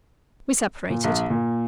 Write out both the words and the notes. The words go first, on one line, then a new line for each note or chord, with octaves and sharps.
We separated.
A#2
A#1
A#2